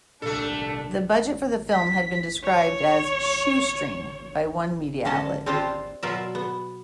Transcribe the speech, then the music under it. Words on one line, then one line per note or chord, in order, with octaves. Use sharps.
The budget for the film had been described as "shoestring" by one media outlet.
C2 A#2 A3 D4 A4
B6
C#5
D3 C#4 D#5 A5
C4 D4 F4 G4 C5
B2 F#3 F4 A#4 D5 E5
B3